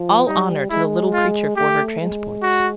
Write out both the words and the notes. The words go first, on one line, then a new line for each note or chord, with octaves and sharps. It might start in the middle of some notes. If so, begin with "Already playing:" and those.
All honour to the little creature for her transports!
Already playing: F3
G3 D#4
G#3 E4
F4
A3 G4
G#3
F#4